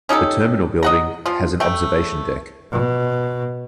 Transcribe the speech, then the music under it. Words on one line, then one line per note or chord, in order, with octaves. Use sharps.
The terminal building has an observation deck.
C#4 D#4 G4 A4
D#5 F#5 A#5
F3 F4
A3 G5
B2